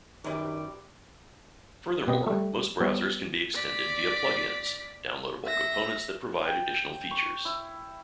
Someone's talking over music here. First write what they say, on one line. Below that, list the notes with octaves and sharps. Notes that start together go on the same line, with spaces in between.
Furthermore, most browsers can be extended via plug-ins, downloadable components that provide additional features.
F#2 D#3 G3 D4 G4 B4 D5
B2 C4 G4 B4 D#5
G3 A3
G3 B3 C#5
D5 B6
E5 A#6
G5
C#6
E4